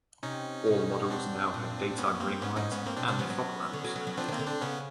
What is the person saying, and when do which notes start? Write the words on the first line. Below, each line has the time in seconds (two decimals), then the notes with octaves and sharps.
All models now had daytime running lights, and fog lamps.
0.23 C3 C#4 D#4
0.66 B2
1.10 C4 D4
1.54 A#2
1.98 B3 C#4
2.20 A#3 C4
2.42 G#2 B3 C#4
2.56 G#2 C#4 D#4
2.71 G#2 B3 C#4
2.86 G2 A#3 C4
2.97 B2 C4 D4
3.08 C3 C4 D4
3.19 F3 B3 C#4
3.30 F#3
3.73 D3
3.84 F#3
3.96 F#3
4.07 F#3
4.17 F3 C4 D4
4.28 D#3 A#3 C4
4.39 D3
4.47 C4 D4
4.61 C#3 B3 C#4